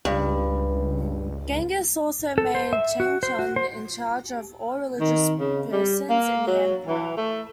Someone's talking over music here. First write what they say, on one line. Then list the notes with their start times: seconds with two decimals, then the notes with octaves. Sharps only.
Genghis also made Changchun in charge of all religious persons in the empire.
0.05 C#2 G2
2.38 A4
2.55 C5
2.73 E5
3.00 F#4
3.23 C5
3.39 F#4
3.56 C5
5.00 D#3
5.40 C#3
5.73 G3
6.10 A#3
6.48 F#3
6.87 E3
7.18 A3